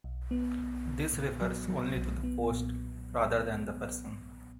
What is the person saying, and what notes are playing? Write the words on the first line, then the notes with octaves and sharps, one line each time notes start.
This refers only to the post, rather than the person.
B1
B3
B1
B1
A#2
F#3
F#3
B1
B3
A#2